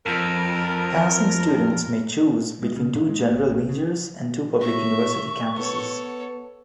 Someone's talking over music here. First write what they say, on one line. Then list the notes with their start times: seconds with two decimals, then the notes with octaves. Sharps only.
Passing students may choose between two general majors and two public university campuses.
0.06 F2 F4 A#4
2.62 G#3
2.77 C#3
2.95 A#2
3.09 G#3
3.30 G#1
3.49 B1
3.69 C#3
4.61 A2 A#4 E5 C#6
5.57 B3 A4 C#5